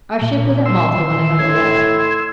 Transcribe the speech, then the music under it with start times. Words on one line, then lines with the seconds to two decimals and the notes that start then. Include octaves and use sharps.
Our ship was at Malta when I got the letter.
0.21 A#2
0.66 C6 E6
0.97 D#3
1.39 A2 G#6